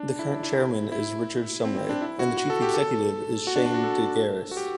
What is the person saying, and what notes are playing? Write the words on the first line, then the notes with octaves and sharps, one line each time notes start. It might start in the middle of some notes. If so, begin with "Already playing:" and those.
The current chairman is Richard Sumray, and the chief executive is Shane Degaris.
Already playing: D4
E4
D4
E4
E4
C4
C4
D4
E4
F#4
F#4
A4
G4
A4
F#4
D4
D4
F#4
A4
F#4
G4